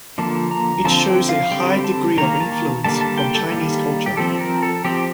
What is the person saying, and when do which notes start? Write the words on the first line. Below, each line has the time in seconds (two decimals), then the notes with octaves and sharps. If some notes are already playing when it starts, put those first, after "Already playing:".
It shows a high degree of influence from Chinese culture.
0.18 D3 F3 A#3 A5
0.51 A#5
0.85 D3 F3 C4 A5
1.07 G5
1.29 F5
1.51 D3 G3 C4 G5
1.84 A5
2.18 D#3 A#3 A#5
2.40 A5
2.84 D3 G3 A#3 A5
3.01 A5
3.18 G5
3.35 A4
3.52 D#3 G3 A#3
4.06 G4
4.17 F3 C4 A4
4.40 A#4
4.63 A4
4.84 F3 C4 G4